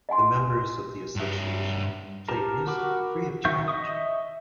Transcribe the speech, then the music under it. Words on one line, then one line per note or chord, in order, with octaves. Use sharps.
The members of the association play music free of charge.
D#5 F#5 G#5 C6
G2 E5
G4 A#4 A5 A#5
F#4 A#4 B5 D6
D#3 E5 C#6 G6
D#5 E5 C#6 D#6